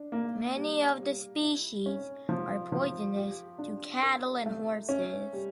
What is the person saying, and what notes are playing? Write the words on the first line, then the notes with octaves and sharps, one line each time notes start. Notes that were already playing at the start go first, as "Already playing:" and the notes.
Many of the species are poisonous to cattle and horses.
Already playing: D4
A#3
G3
G3
E4
C#4
F3
F3
G4
D4
A#4
A3
C#4
G3